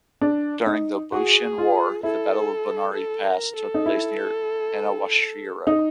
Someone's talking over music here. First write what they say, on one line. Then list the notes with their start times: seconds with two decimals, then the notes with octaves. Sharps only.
During the Boshin War, the Battle of Bonari Pass took place near Inawashiro.
0.21 D4
0.67 D#4
1.12 F#4 G#4
1.58 F4
2.03 E4 A4
2.94 A4
3.24 A#4
3.56 A4
3.74 D#4
3.86 E4
5.67 D#4